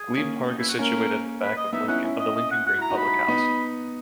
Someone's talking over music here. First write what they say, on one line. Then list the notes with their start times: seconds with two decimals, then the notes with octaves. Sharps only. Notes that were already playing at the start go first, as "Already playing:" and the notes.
Glebe Park is situated at the back of the Lincoln Green public house.
Already playing: G#4
0.17 A#3 C#4
0.48 D#4
0.58 E4
0.69 F#4
0.79 A#3 C#4 A#4
1.42 B4
1.57 D#5
1.73 B3 D#4 E5
1.88 C#4 E4 F#5
2.04 C#4 E4
2.20 D#5
2.35 D#5
2.51 F#5
2.66 F#4 F#5
2.78 E4 A#5
2.90 D#4 F#4
2.97 B5
3.28 B3 D#4